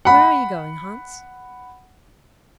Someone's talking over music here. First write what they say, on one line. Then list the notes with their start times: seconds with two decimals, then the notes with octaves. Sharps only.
'Where are you going, Hans?'
0.05 F#5 B5